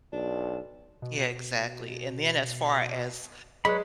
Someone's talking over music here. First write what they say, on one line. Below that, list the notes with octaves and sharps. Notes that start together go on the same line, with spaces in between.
Yeah, exactly, and then as far as,
B1 D4
B2
F#3 G#3 B4 C#5 B5